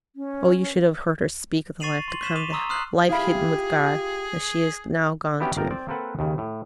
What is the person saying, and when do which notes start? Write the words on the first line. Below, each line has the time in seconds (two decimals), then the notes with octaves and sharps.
Oh, you should have heard her speak of the life to come--the life hidden with God, that she is now gone to.'
0.16 C#4
1.80 C#6 A6 C7 D#7 F7 F#7
2.08 C6 F#7
2.22 C#6 B6 E7 F#7 G7
2.36 D6 D#7 F7 G7
2.52 A#5 C6 C#6 D#6 E6
2.69 C6 D#6 F6 F#6 C7 F#7
3.09 E4 F4 G4 G#4 F5 B5
5.40 B3 C#4 D4 E4 F#4 G4
5.57 G1 A#4 D5 G5
5.71 C4 D5 G5
5.88 A#3 C4 A4 B4 F#5
6.19 D#2 C#3
6.38 A2